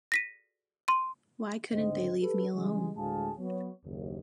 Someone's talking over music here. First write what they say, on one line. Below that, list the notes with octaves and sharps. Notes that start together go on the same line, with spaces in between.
Why couldn't they leave me alone?
A#6 B6 D#7
C6 D#7
C#2 G#2 D3 C4 D#5
G4 A4 B4
C#3 E3 G3 G#3
D2 A2 G#3 G#4 F5 A5
F#3 B3 C#5
F#1 D#2